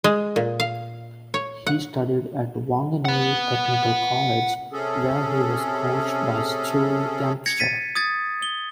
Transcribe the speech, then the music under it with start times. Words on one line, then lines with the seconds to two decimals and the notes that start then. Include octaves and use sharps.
He studied at Wanganui Technical College, where he was coached by Stewie Dempster.
0.04 G#3
0.36 A#2
0.60 F5
1.34 C#5
1.67 F#5
3.05 F#5 B5
4.73 C3 C#4 G#4 A4
7.46 G#6 A#6 C#7
7.59 A6 B6 D#7
7.95 D#6 G#6 A6
8.42 G7